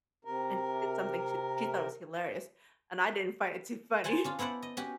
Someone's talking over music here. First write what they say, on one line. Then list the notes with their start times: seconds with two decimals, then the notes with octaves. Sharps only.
And she did something sh she thought was hilarious, and I didn't find it too funny.
0.25 C3 A#4
4.04 C5 F#5 G#5 A5 C6
4.24 C#4 D4 F4
4.39 B3 E4 C5 D5 F#5
4.62 D#5
4.77 C#4 F#4 G4